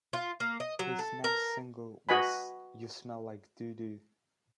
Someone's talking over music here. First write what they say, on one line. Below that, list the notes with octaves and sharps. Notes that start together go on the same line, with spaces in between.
His next single was "You Smell Like Doo-Doo".
F4
A#3
D#5
F#3
A4
A#4
F#4 B4 D#5 G#5 B5